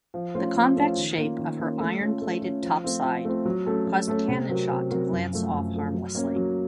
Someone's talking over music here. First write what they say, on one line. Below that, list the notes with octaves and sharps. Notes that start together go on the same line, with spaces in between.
The convex shape of her iron-plated topside caused cannon shot to glance off harmlessly.
F3
A3 C#4 F4 C5
F3
A3 C#4 F4 C5
D#3
A#3 C#4 F4
D#3
A#3 C#4 F4
A3
C#4 F4
A3
C#4 F4
F3
A3 C4 F4
F3
A3 C4 F4
F#3
A3 C#4 A4
F#3
A3 C#4 A4
C3
F#3 C4 F#4 A#4
C3
F#3 C4 F#4 A#4
F#2
F3 A3
F#2
F3 A3
F#3
A#3 C#4 F#4
F#3